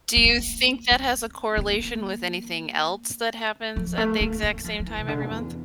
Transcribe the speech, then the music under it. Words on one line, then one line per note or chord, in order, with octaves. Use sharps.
Do you think that has a correlation with anything else that happens at the exact same time every month?
C4
A#3
C4
A#3
F3
A3
A#3
A#3
F3
F3
E3
C3
D3
E2